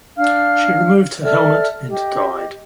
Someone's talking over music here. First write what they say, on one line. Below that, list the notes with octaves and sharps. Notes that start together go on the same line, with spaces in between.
She removed her helmet and died.
D4 F5 F6
A4 D5 E5 F6
G4 D#5